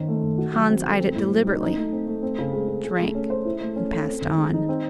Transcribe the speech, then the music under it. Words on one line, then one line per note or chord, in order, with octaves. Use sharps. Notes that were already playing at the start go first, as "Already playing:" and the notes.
Hans eyed it deliberately, drank, and passed on.
Already playing: D#3 C#4 C5
A3
D#3
F#4
F#3
C4
A4
C4
A2
F#3
D#4
D#4
A3
C4
A3
C4
C#3
G#3
C#3
G#4
A3
C#4
C5
E4
A3
C#4
A4
C4
D#3
G#3
D#4
C4